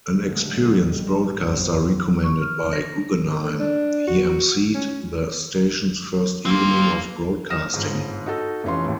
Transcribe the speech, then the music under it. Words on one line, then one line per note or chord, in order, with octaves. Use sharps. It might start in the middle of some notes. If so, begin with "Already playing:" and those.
An experienced broadcaster, recommended by Guggenheim, he emceed the station's first evening of broadcasting.
C#2 A2 D3 F#3 G#3 A3
A1 G2 F3 G3 G#3
F1 A#1 F#2 F3 F#3 C4
C#6
F6
A#6
D3
D4
F#4
C#4
A#3 C4 F4
D#6 F6 A#6 E7
G1 G#2
D#4 F#4 A4
F1 E3 C#4 F4 C6
D#2 A2